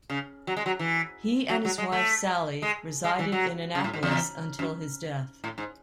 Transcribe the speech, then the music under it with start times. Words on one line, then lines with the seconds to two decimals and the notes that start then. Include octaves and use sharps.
He and his wife, Sally, resided in Annapolis until his death.
0.10 C#3
0.47 F#3
0.57 G#3
0.66 F#3
0.79 E3
1.49 F#3
1.65 F#3
1.78 G#3
1.92 A3
2.62 G#3
3.04 G#3
3.19 E3
3.32 F#3
3.75 C#3
3.84 A2
3.93 G#2
4.03 E2
4.59 F#2
5.44 A2
5.58 G#2